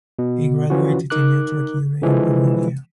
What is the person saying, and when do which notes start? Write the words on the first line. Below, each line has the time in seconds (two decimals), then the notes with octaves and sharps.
He graduated in utroque iure in Perugia.
0.19 B2
0.70 E3 F3 C#4 F4 F#4
1.10 D#4 A#4 D6 F#6
2.02 D3 E3 F3 G#3